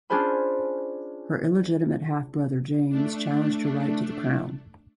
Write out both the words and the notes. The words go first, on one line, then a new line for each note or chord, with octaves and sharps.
Her illegitimate half-brother, James, challenged her right to the crown.
C#4 D4 F4 G#4 C5 B5
A3 D4